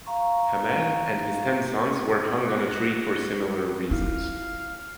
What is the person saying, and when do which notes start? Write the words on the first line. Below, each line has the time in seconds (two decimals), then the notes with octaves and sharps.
Haman and his ten sons were hung on a tree for similar reasons.
0.07 F5 A#5 C#6
2.47 F#4
3.91 E4 F4 F5